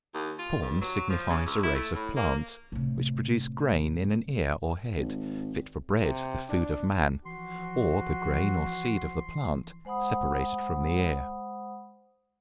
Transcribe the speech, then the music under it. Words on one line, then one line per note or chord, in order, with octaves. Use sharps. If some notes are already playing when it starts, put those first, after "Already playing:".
Corn signifies a race of plants which produce grain in an ear or head, fit for bread, the food of man; or the grain or seed of the plant, separated from the ear.
D#2
F4
G2
F#3
F3
C#3
C#2
E4
A3
A2
A#3
A2 C3
G#1
C3
D4
E3 F3 F#4 C6
G#3 C5 F#5 B5 D#6